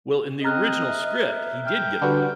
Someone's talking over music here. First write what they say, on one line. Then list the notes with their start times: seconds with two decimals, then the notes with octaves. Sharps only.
Well, in the original script, he did get away,
0.44 C4 D#5 A#5 F6 F#6
0.87 E5
1.67 G5 F6
2.02 D3 G3 F#4 B4